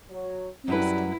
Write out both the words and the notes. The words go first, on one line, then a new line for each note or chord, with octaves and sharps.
"Yes, dear."
F#3 C#5
F#2 F#3 G3 E4 B4